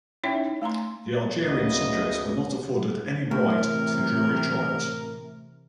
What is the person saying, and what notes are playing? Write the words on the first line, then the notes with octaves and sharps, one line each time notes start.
The Algerian "subjects" were not afforded any right to jury trials.
C#4 D#4 E4 C#5 E5 G5
A3 G#5 A#5 C6
D2 C#3 B3 D#5
A2 C3 E3 A#4